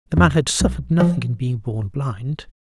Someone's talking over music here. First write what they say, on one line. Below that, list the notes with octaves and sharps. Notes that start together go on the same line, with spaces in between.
The man had suffered nothing in being born blind.
F2
B1
F3